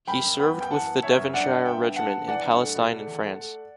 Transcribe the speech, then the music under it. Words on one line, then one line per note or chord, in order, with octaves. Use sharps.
He served with the Devonshire Regiment in Palestine and France.
F#2 G5 B5
F#2
B3 G5 B5
F#2
G5
E3 F#5 A5
B3
B3 C#5 E5
F#2
G2 D5 F#5
G2
B3 E5 G5
G2
G2 F#5 A5
B3
E3 D5 F#5
G2
A3
B2
A3
E2
A3
A3